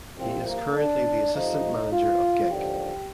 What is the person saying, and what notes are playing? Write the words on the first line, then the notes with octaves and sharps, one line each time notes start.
He is currently the assistant manager of Genk.
C2 C3 F3 C4
A#3
D4
F2 C3 F3 D#4
F4
D#2 D3 F3 G4